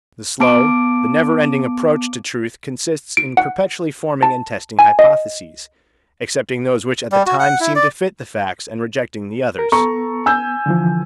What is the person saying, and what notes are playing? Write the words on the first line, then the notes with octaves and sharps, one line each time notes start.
The slow, the never-ending approach to truth consists in perpetually forming and testing hypotheses, accepting those which at the time seem to fit the facts and rejecting the others.
B3 A5 D6 D7
D7
F#5
A5
G#5
D#5
G3
F#4
F#5
E4
D5
A#4
B3 A4 A#5 C#6
G#5 E6 G6
D3 E3 F3